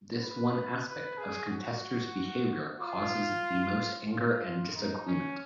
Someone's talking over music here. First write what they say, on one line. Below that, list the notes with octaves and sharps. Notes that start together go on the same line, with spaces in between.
This one aspect of contesters' behaviour causes the most anger and disagreement.
B4
B4
G#4
F#4
F4
F4
D#4
C#4